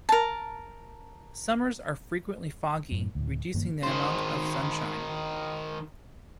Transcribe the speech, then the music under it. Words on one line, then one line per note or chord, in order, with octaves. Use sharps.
Summers are frequently foggy, reducing the amount of sunshine.
A#4 A5
F#2 A2
D2 A2
F#1 G2 D#3 A#3
D#3 C5